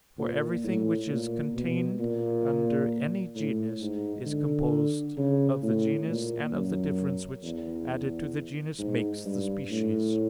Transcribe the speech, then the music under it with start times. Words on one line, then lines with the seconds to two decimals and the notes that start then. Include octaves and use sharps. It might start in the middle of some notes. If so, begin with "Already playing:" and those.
For everything which is contained under any genus is composed of the genus, and of the difference which added to the genus makes the species.
0.18 A#2
0.64 A2
1.09 A#2
1.54 B2
1.99 A#2
3.35 A2
3.81 G#2
4.26 D3
5.17 C#3
5.63 A2
6.08 A#2
6.53 F#2
7.43 E2
8.80 G#2
9.25 G2
9.71 A2